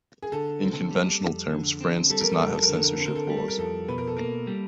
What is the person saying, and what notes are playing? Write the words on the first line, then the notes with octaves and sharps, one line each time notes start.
In conventional terms, France does not have censorship laws.
G#4
D3 A4
C4
G3
F2
D3
C4
G3 A4
A#4
A4
F2 A#4
A4
A#4
D3 A4
A#4
A4
C4
A#4
A4
G3 A#4
A4
A#4
F2 A4
B2 B4
A#4
A4
A#3 A#4
G3